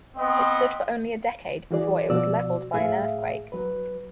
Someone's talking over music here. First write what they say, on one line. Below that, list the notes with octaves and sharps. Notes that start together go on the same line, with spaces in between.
It stood for only a decade before it was leveled by an earthquake.
B3 C4 D#5
E3 F#4 G#4 D5
B2 F3 F#4 D5 E6
A2 G#4 E5 F5
F#3 B4